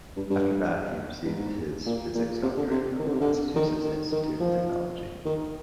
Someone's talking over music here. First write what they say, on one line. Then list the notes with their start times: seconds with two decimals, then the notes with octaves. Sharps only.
After that he received his physics doctorate from the Massachusetts Institute of Technology.
0.17 G2
0.30 G2
1.25 G2
1.30 G#2
1.86 A#2
2.15 A#2
2.43 C3
2.57 D3
2.71 C3
2.99 D#3
3.07 D3
3.13 C3
3.21 D3
3.56 D#3
3.84 D#3
4.12 D#3
4.40 F3
5.25 D#3